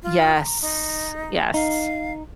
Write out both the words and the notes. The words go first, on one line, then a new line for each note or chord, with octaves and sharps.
Yes, Yes.
F4
A#5
D#4
D#4 F5